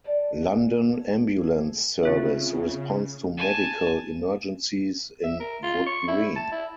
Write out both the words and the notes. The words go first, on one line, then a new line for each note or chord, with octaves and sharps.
London Ambulance Service responds to medical emergencies in Wood Green.
G3 D4 D5 A5
F#3 F5 G#5
A4 A#4 C#5
G#4 A4
C#3 C4 F4 E5
G#5 A5
E5
A#4
F4
C#6
E4
A5
E4